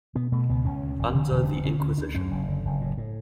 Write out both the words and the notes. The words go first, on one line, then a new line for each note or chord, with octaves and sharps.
Under the Inquisition.
B2 B3
B2 A3
C#2 B3
C#2 C#4
D2
E1
D3
E1
C#4
D3 D4
D3 C#4
D2 C#4
D2 D4
F#2 C#4
F#1
D3
F#1
A2
A2